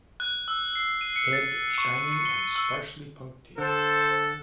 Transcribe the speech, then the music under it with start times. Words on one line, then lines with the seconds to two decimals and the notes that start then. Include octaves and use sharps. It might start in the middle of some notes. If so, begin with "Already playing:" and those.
Head shiny and sparsely punctate.
0.20 F#6
0.48 E6
0.75 C7
1.01 D#7
1.16 C#7
1.33 A6
1.78 C#6
2.12 C#7
2.25 G7
2.55 E6
3.58 D3 A4 C5